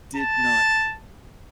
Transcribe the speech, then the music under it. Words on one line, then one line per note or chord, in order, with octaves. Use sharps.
did not
A5